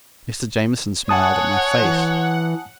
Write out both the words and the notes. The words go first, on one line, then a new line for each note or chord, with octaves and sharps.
Mr. Jamieson smiled at my face.
C#5 F#5 G#5 A5 D#6
E3